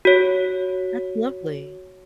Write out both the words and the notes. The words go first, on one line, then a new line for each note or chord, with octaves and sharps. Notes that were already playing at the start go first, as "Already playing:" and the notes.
That's lovely.
F#4 C#5